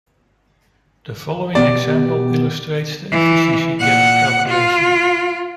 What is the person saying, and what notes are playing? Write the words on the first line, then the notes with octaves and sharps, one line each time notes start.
The following example illustrates the efficiency gap calculation.
B2 B3 G4 D5
E3
A#2 F#5
F4